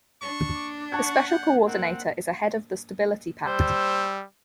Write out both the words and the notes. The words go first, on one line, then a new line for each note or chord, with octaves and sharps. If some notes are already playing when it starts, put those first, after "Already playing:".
The Special Coordinator is a head of the Stability Pact.
D4 C#6
D6
F#5 A5 C#6 F#6 G#6
G6
A#3 C4 F#5
G3 C5 E6